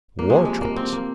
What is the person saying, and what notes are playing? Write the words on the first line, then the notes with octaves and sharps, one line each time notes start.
War trumpets!
A#3
C3 F3 G#3
G#3
A#3
C4
A#3